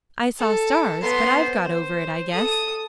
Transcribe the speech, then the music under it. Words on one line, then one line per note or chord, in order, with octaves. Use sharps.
I saw stars, but I've got over it, I guess.
A4
B3 C6
C5
A4 D#6